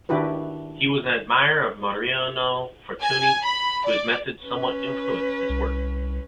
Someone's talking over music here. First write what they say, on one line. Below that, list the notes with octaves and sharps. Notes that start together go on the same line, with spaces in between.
He was an admirer of Mariano Fortuny, whose methods somewhat influenced his work.
D#3 D4 E4 F#4 G4 B4
G#5
B5
D5
C#4 B4
C2